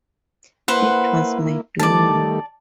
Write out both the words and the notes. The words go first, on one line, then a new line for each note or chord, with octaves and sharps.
It was my doing.
A#3 E4 B4 C5 F#5
D#3 G3 A3 D5 A5